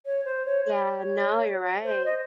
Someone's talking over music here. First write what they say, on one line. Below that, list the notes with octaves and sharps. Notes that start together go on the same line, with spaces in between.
Yeah. No, you're right.
C#5
C5
C#5
C#5
C5
D#5